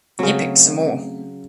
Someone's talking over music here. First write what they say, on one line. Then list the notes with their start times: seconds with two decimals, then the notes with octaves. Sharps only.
He picked some more.
0.19 C#3 F#3 A3 C4